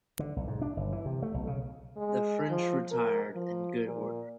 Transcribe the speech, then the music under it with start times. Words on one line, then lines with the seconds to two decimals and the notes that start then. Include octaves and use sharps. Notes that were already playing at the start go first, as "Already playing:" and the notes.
The French retired in good order.
0.19 D3
0.36 B1
0.48 G#2
0.62 D4
0.77 G1
0.92 E3
1.06 C3
1.22 A3
1.34 B1
1.47 C#3
1.97 G#3
2.50 F3
2.91 A#4
3.34 F3
3.86 A#2